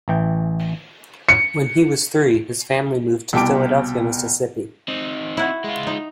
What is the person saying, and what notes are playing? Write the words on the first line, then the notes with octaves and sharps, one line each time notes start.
When he was three, his family moved to Philadelphia, Mississippi.
A1 E3 G5
C#7
C2 B2 G5 A5 D6 D7
C4 D#4
E4 F#4
G#3 F4
D#4